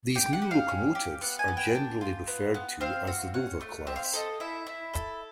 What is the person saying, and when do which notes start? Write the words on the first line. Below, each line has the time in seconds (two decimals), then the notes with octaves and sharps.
These new locomotives are generally referred to as the Rover class.
0.15 G4 G5
0.33 F#5
0.42 G4
0.51 F5
0.69 C#4
0.95 G4
1.21 B3 F#5
1.39 G#5
1.48 B3
1.57 G5
1.75 D4
2.01 F4
2.28 B3
2.54 B3
2.81 C4 F5
3.07 F#4
3.34 C#4 F#5
3.61 A3
3.87 C4 E5
3.96 F5
4.05 E5
4.13 A4 D#5
4.40 E4 E5
4.67 E4
4.93 A4